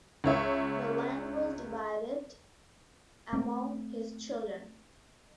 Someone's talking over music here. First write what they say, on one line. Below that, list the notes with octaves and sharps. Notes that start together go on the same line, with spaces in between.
The land was divided among his children.
C#2 C#5 E5
A3 C4